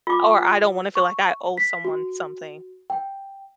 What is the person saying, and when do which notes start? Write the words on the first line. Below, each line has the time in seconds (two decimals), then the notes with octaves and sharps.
or I don't wanna feel, like, I owe someone something.
0.07 F4 D6
0.95 C#6
1.58 B6
1.85 F#4
2.90 G5